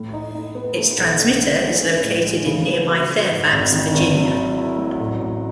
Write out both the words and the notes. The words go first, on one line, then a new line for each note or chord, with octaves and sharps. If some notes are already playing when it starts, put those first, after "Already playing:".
Its transmitter is located in nearby Fairfax, Virginia.
Already playing: A2
D#4
D#4
B3
A3
B1
B1
A3
G#3
C#4
A2
G#3
C#3
B3
F#4
F#4
G#2
G#1
D#3
G#1
F#3
E4
E4
F#3
A1
A1